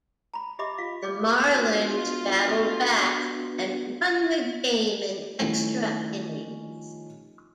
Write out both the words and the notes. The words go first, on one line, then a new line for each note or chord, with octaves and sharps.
The Marlins battled back and won the game in extra innings.
A#5 B5
G4 D#5 E5 B5 D6
F4 F5
G#4 D5 D6
B3 D4 F4 F#4
D#3 F3 G3 A3 C#4 E4